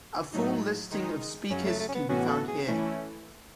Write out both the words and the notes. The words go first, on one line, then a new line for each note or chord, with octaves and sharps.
A full listing of speakers can be found here.
A2 F#3 A3 D#4
D#3 G#3 D#4
F#2 C#3 F#3 C#4
A3
A3
C#4
B3
A2 E3 B3 C#4 F#4
A4
G#4
E3 A3 C#4 E4